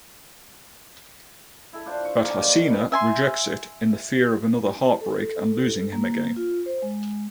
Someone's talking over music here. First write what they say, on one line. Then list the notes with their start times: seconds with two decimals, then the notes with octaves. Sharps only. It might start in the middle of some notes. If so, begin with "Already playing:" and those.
But haseena rejects it in the fear of another heartbreak and losing him again.
1.73 E4 A4
1.86 D4 F4 C5 C6
2.05 C#6
2.21 F3 A#3 A#4 D5
2.39 D3 D#3 F#3
2.70 B2 B4 B5
2.92 E5 G#5 C6
5.01 A4
5.93 A#3
6.36 F4
6.66 C5
6.82 G#3